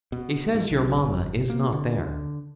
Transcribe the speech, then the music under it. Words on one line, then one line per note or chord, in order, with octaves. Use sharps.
He says your mamma is not there.'
B2
G#2
B1
G1
A#3
D3